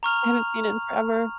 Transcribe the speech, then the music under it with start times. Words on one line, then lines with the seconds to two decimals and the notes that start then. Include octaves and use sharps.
I haven't seen it in forever.
0.03 A#5 C#6 F6 F7